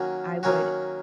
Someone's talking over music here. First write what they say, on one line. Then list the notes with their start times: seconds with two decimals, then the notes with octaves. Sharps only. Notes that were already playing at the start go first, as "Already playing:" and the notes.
I would
Already playing: D#3 F#3 A#3 C#4 F#4
0.43 D#3 F#3 A#3 C#4 F#4